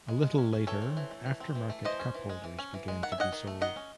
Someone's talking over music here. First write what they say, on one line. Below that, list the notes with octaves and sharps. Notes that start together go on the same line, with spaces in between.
A little later, aftermarket cup holders began to be sold.
G#3
G#3
C#4
C#4
E3 A4 C#5
C4
E3
A3
E3
C4
E3
A3
E3 C5 D#5
C#4
E3
G#3
E3
C#4
E3
G#3
D#3 F#5
E5
C#4 D#5 F#5
D#3
A3
D#3 D#5 F#5
C#4